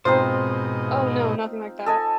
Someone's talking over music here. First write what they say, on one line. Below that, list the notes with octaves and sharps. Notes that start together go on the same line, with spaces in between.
Oh, no, nothing like that!
G#2 B2 C4 D#4 F4 C5 D#5
A4 D#5 G#5